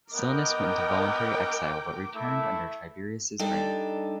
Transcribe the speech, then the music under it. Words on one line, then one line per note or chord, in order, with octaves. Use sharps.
Silanus went into voluntary exile, but returned under Tiberius' reign.
B3 A#4 D#5 G5 D6
A3 E4
G3 D4 D#4 A4 D5